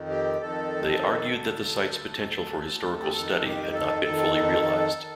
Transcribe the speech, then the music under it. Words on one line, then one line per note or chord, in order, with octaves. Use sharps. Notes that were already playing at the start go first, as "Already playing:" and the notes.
They argued that the site's potential for historical study had not been fully realised.
Already playing: F2 D#3
G4
F2 D#3 A4
D2 D3
D2 D3
G4
F2 D#3 A4
G4
A4
F2 D#3 A4
D#3